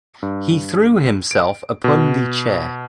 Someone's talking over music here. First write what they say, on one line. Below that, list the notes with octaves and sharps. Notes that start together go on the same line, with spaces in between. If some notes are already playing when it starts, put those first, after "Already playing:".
He threw himself upon the chair.
G2
D7
B2